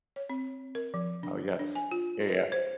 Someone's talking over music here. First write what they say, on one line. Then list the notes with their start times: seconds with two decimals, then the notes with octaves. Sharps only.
Oh, yes. Yeah, yeah.
0.16 C#5
0.30 C4
0.75 A#4
0.94 F3
1.23 D4
1.59 D4
1.75 G#5
1.91 F4
2.27 B4
2.52 C5